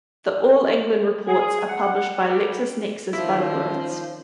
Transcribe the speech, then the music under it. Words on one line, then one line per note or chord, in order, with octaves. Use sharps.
The All England reports are published by LexisNexis Butterworths.
G#4
F#5
G3
D#3 F3 C#4 E4